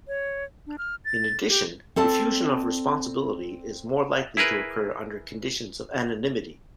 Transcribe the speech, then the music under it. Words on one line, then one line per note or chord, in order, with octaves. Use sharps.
In addition, diffusion of responsibility is more likely to occur under conditions of anonymity.
C#5
D4
F6
A6
G4
C4 A4 D5 A5
E4 G#4 A#4 B4